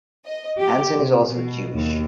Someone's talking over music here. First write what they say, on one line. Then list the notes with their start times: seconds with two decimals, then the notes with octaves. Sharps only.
Hansen is also Jewish.
0.25 D#5
0.59 G4
0.99 C3
1.28 B2
1.73 D#2